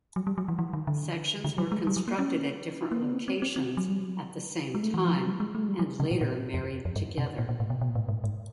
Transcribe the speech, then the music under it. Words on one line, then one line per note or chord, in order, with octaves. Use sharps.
Sections were constructed at different locations at the same time and later married together.
F#3
G3
F#3
E3
E3
D#3
D3
D3
F#3
G#3
G3
F#3
A#3
C#4
A#3
B3
C4
C4
C4
C4
F#3
G3
F#3
G#3
A3
E3
F3
F#3
G3
G#3
A3
G#3
G3
F#3
C#3
A#2
A#2
F2
F2
G2
C3
A#2
A#2
A2
B2
B2
A#2
A2
G#2
G#2